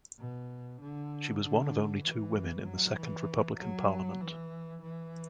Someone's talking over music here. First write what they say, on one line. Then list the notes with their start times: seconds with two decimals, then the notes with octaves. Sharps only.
She was one of only two women in the Second Republican parliament.
0.19 B2
0.81 D3
1.42 D3
2.04 E3
2.66 F#3
2.97 E3
3.59 F#3
4.21 E3
4.82 E3